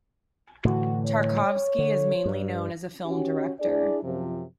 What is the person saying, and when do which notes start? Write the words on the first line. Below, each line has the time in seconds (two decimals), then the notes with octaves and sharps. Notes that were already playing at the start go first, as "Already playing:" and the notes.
Tarkovsky is mainly known as a film director.
0.65 A2 D3 E3 F#4
1.05 C#5
1.79 D3
2.25 G2
3.06 C#4 F#4 G4
3.60 D4 E4 G#4 D5
4.03 F#2 C3 F3